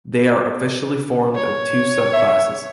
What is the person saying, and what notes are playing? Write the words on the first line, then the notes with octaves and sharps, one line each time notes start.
They are officially formed of two subclasses.
C#5
E5